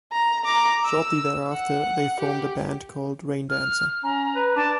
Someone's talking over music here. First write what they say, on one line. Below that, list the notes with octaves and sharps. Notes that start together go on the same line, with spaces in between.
Shortly thereafter, they formed a band called Raindancer.
A#5
A#5 D6
E6
F#5
G4
F6
C#4 A#5
B4
D4 A5